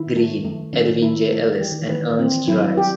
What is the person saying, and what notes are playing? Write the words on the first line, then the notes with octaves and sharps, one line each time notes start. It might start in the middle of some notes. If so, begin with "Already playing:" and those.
Greene, Edwin J. Ellis, and Ernest Rhys.
Already playing: D#3 E4
A3
A3
D#3 C#4
D#3
E4
A3
E3 G4
D#3
E3
B4
C4
F#3 E4
G4